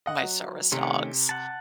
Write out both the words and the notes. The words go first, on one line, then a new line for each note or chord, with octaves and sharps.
my service dogs
D#5 F#5
F#3
C3 D#3 A3 C#4
F#5 A5